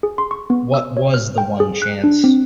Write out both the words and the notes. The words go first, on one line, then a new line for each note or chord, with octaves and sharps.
What was the one chance?
G#4
C6
C#6
B3
E6
C#5
F6
G5
G#4
F#6
D4
C4